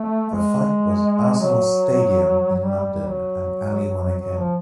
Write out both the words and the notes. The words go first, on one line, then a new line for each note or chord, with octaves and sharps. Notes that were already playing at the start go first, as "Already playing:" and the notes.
The fight was at "Arsenal Stadium" in London and Ali won again.
Already playing: A3
G#3
F#3
F#3
G3
G3
G3
F#3
F#3
F3